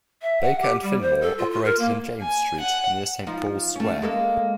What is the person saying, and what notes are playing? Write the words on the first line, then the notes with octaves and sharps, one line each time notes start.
Baker and Finnemore operated in James Street, near Saint Paul's Square.
E5
F#5
G4
G3
C5
A4
F4
F4
A#4
A#3
G#5
F#5
F3 D#4
A3 C#4
G#3 A#3 A4